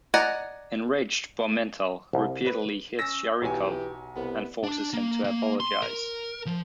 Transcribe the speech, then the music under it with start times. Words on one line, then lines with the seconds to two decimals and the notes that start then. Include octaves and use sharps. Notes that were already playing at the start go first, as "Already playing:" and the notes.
Enraged, Bormenthal repeatedly hits Sharikov and forces him to apologize.
0.14 D5 D#5 F#5 G#5 A#5
2.13 C2
2.46 B4
2.99 C#4 E6 A#6
3.42 B1 E3 G4 C#5 G#5
4.16 C2 B3
4.63 D4
4.93 A#3
5.24 A#3
5.60 C6
5.82 A#4
6.46 F3